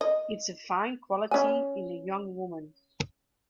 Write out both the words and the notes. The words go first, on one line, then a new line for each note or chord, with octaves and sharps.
It is a fine quality in a young woman.
D#5
C#4 G#5